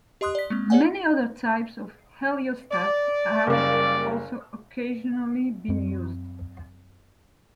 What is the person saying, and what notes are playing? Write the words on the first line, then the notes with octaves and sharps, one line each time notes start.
Many other types of heliostat have also occasionally been used.
G4 D#5 C6 D#6 F#6
D5 B6
G#3 A#3 C4
G#4 C#5 D5 F#5 G#5
D5
F#1 G3 A#3 D5
F#2 C4